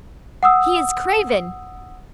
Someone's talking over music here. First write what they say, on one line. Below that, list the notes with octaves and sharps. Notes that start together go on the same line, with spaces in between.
He is craven!
F#5 D#6 E6